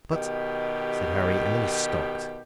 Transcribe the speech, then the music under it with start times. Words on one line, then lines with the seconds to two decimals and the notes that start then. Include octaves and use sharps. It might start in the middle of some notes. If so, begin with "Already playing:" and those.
"But--" said Harry, and then he stopped.
0.11 B2 D#3 G4